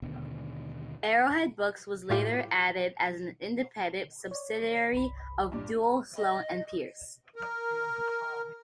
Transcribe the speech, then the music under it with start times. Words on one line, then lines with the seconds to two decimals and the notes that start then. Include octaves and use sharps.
Arrowhead Books was later added as an independent subsidiary of Duell, Sloan and Pearce.
0.02 D#2 B2 D3
2.10 A2 F4 G4
4.31 C#5 D5
4.93 G1 C2 B5
5.52 G2 A#2 D5
6.17 D#5
7.36 A#4